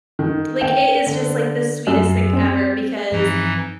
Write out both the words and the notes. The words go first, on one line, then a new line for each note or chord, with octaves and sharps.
Like, it is just like, the sweetest thing ever because,
D#3
G5
D3
F#2
C4
G2 E3 F3 C4 D#4